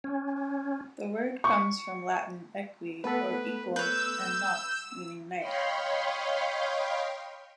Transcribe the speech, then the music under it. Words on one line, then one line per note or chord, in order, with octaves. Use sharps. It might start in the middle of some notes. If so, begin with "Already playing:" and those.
The word comes from Latin "equi" or "equal" and "nox" meaning "night".
C#4
C#6
A3 B3 A4 B4
B4 C#5 E6 G6
C#5 D#5 F5 G5 B5 C6